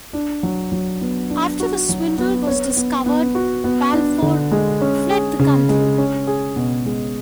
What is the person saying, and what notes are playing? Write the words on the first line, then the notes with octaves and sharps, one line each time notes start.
After the swindle was discovered, Balfour fled the country.
D4
F#3
F#3
B3
D4
F#4
F#3
B3
C#5
B3
B3
F#4
B3
D4
D3
G#3
C#4
G#4
C#3
G#3
C#4
G#4
B2
G#3